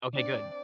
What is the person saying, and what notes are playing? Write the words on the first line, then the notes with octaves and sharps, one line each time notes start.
Okay, good.
C4 D4 D5